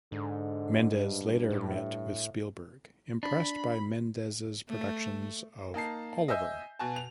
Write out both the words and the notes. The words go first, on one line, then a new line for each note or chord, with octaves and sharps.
Mendes later met with Spielberg; impressed by Mendes' productions of Oliver!
G#2 D3
G2
A2
D4 B5
A3
A#3 D#4 A5 C7
D#5 E5 G#5 E6 G6
B2 G#5 A5
F7